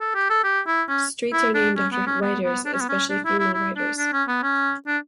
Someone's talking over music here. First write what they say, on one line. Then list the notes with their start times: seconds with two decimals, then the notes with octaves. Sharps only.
Streets are named after writers, especially female writers.
0.01 A4
0.15 G4
0.30 A4
0.44 G4
0.67 E4
0.88 C#4
1.33 E4
1.54 D4
1.77 C#4
1.92 B3
2.07 C#4
2.22 B3
2.44 B3
2.65 D4
2.74 C#4
2.81 B3
2.89 C#4
3.10 D4
3.25 E4
3.39 E4
3.54 E4
3.76 D4
3.98 D4
4.13 C#4
4.28 B3
4.43 C#4
4.87 D4